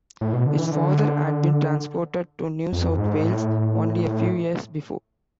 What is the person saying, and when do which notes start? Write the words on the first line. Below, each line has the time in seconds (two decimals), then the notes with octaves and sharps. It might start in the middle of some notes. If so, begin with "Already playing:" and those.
His father had been transported to New South Wales only a few years before.
0.21 A2
0.33 B2
0.46 D3
0.59 E3
0.71 D3
2.72 F2
2.98 G#2
3.22 A2